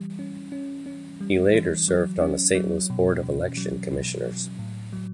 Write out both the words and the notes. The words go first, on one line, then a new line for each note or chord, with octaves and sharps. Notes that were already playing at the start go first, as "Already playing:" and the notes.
He later served on the Saint Louis board of election commissioners.
Already playing: E3 G3
C#4
C#4
C#4
G3
E3
F#3
C#4
F#3
B2
B2
F#3
B2
F#3
A2
F#3